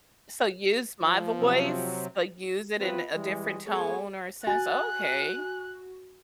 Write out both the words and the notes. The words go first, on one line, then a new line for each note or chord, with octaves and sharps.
So use my voice, but use it in a different tone or a sense? Okay.
F3
C3 F#3 C4
E3 B3 C4 F4 B4
E3 G3 G#3
G#3 A3 B3 G#4 A4 C#5
F#4 G#5 F#6 A6